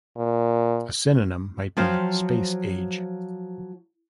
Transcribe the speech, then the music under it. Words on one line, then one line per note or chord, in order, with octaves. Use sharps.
A synonym might be space-age.
A#2
F3 F#3 C5 F5 G5